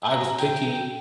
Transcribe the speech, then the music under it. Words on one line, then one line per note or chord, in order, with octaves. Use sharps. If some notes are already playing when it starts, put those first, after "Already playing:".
I was picky,
A#5
G5